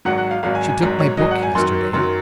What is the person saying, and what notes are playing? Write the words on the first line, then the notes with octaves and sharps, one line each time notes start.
She took my book yesterday.
G#1 G#2 F#3 F#5
F#5
F5
G#1 G#2 F#3 F5
G#5
G#5
G#1 G#2 F#3
C#5
G#1 G#2 F#3 D#5
F#5
G#5
F#2 D#3 F#3 C6
F#2 D#3 F#3 C6